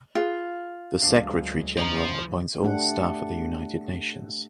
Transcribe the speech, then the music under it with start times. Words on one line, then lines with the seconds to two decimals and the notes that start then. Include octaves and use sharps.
The secretary-general appoints all staff at the United Nations.
0.15 F4 G#4 B4 F5
1.02 D2 F#3 G#3 D4 F5
1.78 C#3 E3 F3 C#4 D#5 A#5
2.64 A3 D4 G4 F#5